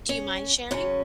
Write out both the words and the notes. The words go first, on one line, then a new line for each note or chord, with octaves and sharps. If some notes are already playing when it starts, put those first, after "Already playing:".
do you mind sharing?
C#4
F#2 C#3 C#4